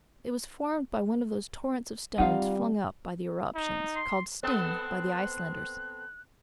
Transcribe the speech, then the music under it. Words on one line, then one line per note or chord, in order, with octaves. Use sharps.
It was formed by one of those torrents of stones flung up by the eruptions, called 'sting' by the Icelanders.
D#3 G3 C4 D#4 F4 F5 F#5
D#4
C6
B3 C4 A4 F#6